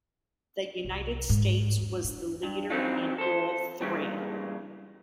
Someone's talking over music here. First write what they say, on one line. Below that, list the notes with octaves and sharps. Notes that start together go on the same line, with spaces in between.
The United States was the leader in all three.
C2
G#2
E2
D3
G2
E3 F#3 C4 C#4 D#4 F4
A4 C5
G2 A#2 C#3 E3 G3 G#3